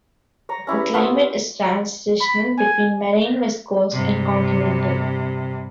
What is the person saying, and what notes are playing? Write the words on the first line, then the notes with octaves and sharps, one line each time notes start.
The climate is transitional between marine west coast and continental.
C#5 A#5
C#4 E4 G4 B4
B3 C4 F4 C6
B5
G#5
G2 C3